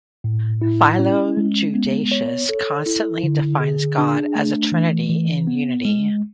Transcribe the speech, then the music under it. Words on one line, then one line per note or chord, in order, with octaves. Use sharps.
Philo Judaeus constantly defines God as a Trinity in Unity.
A2
E4
C#4
G#3
B3
C#5
A4
E4
D3
G#4
D4
A3
E3
E3
B3
G#3